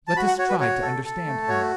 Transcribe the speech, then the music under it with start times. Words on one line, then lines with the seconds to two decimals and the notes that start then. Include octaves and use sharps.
Let us try to understand him.
0.08 A5
0.16 F#4 B5
0.27 F#5
0.38 F#4 C#5
0.49 B4
0.60 F#4 C#5
0.82 A4
1.05 A4
1.27 A3
1.48 F#4 C#5